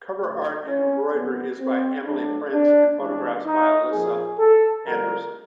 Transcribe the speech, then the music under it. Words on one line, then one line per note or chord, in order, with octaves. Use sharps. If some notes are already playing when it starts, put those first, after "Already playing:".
Cover art embroidery is by Emily Prince and photographs are by Alissa Anderson.
E2 C#3 F#3 A3
C#4
F2 C#3 F#3 A#3 B3
C4
B2 F#3 A3 D4
D4
G2 E3 G#3 D4
D#4
A#2 F3 A#3 G#4
A4
F2 D3 G3 A#3 A#4